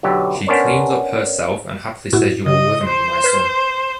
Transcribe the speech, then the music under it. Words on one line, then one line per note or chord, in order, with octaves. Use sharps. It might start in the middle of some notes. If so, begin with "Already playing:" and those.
She cleans up herself and happily says you were with me, my son?
B1 D3 F#3 G4
B3 C#4 D4 A#4 C5 C#5
A2 E4 F#4
C#3 D#5
C5
B4 F6 G#6